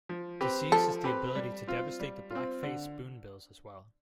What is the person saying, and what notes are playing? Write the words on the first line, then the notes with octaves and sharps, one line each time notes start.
Disease has the ability to devastate the black-face spoonbills as well.
F3
C4 G4 B4
F3 A4
C4 G4 B4
G3
C4 F4
G3
C4 F4
D3